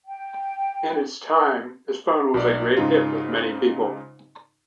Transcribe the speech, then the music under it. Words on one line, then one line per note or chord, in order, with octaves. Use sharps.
In its time, this phone was a great hit with many people.
G5
B1 D5
G#2 C#3 D#4 F4